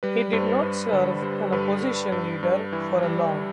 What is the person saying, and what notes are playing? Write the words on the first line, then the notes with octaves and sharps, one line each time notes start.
He did not serve as opposition leader for long.
G3 B4
G2 C5
G2 B4
B4
D3 A4
G3 C5
G2 B4
G3
G2
G2
E3
G3